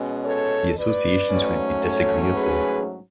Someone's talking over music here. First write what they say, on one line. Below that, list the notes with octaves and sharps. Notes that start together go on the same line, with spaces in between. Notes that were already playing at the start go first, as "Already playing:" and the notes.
The associations would be disagreeable.
Already playing: B2 G#3 C#4
A4 C#5
B4 D5
G#2 F#3 A3 C#4
A4 C#5
G#4 B4